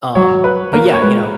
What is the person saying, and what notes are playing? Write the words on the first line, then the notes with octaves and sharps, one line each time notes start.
Um, but yeah, you know,
F#3 C#5
B4
A#3 A#4
C#5
G#3 B4